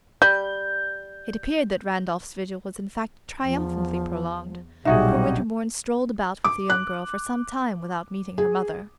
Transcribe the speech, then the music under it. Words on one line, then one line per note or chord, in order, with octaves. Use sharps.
It appeared that Randolph's vigil was in fact triumphantly prolonged, for Winterbourne strolled about with the young girl for some time without meeting her mother.
G3 G6
E2 F3
B1 A#2 G3 D#4 F#4 G#4 E5
D6
F#6
G#4